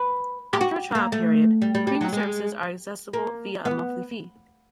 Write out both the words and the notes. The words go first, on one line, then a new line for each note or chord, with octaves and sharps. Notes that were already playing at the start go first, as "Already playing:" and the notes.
After a trial period, premium services are accessible via a monthly fee.
Already playing: B4
G4
F#4
A#3
A3
G3
G3
G3
F#3
G#3
A#3
B3